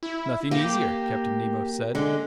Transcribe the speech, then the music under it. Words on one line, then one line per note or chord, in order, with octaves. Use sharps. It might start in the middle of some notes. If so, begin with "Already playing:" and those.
"Nothing easier," Captain Nemo said.
E4
A#3 G4
D3 G#3